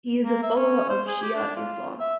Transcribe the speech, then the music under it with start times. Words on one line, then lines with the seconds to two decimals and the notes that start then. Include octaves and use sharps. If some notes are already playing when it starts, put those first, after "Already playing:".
He is a follower of Shia Islam.
0.25 A#3
0.43 E5
0.56 C#4
0.89 C5
1.08 G#4
1.22 G4
1.35 D4
1.57 F4
2.00 E5